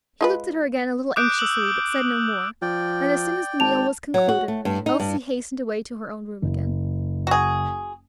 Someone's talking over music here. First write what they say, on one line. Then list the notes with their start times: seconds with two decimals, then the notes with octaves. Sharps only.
He looked at her again a little anxiously, but said no more; and as soon as the meal was concluded, Elsie hastened away to her own room again.
0.21 G#3 F4 B4
1.16 D6 D#6 F#6 G6 D7
1.39 E6 F#7
2.62 F3 D5 G5
3.60 G#1 A5 F7
4.14 F#3
4.29 F#4
4.48 A3
4.65 G2
4.86 D#4
5.00 G2
6.42 F#1
7.27 F#4 G#4